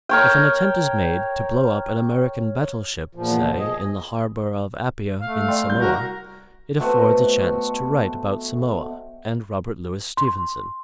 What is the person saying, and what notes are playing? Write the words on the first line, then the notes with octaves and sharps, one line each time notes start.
If an attempt is made to blow up an American battleship, say, in the harbor of Appia, in Samoa, it affords a chance to write about Samoa and Robert Louis Stephenson.
A#4 C#5 G5
E2 A#2 F3
G#4 D#5
A3 F5
F5
D5 G5 C6
C2 G6
F#4 A#4
B2 A3 C4 F#4
C6